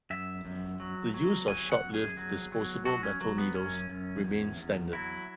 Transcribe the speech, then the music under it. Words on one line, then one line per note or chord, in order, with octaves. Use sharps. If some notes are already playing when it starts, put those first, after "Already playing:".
The use of short-lived disposable metal needles remained standard.
F#2 E5
F#2
F#3
F#3
F#3 G#5
F#5
F#2
G#4
F#3
F#3
F#3 F#4
C#4
F#3
B3
F#2 C#4
F#2
E2
E2
F#3 E4